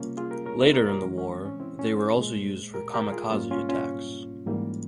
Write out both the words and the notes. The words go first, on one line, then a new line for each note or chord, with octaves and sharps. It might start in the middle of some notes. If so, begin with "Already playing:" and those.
Later in the war, they were also used for "kamikaze" attacks.
Already playing: C3 G3 A#3 C#4 F4
F4 G#4
G4 A#4
A#4 C#5
C5 E5
A#4 C#5
G4 A#4
G2 E3 G#3 C#4
C#4
C4
C#4
C4 E4
C#4
G#4 C5
A#2 G#3
G4 A#4
G4 A#4
F4 G#4
G#2 G3 A#3 C#4 F4
C#4 F4
C#4 F4
G#2 E3 G3 A#3